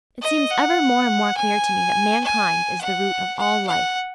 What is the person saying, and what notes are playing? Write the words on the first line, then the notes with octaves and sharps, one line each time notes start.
It seems ever more and more clear to me that mankind is the root of all life.
D#5
F#5
G#5
G#5
F#5
F#5
F#5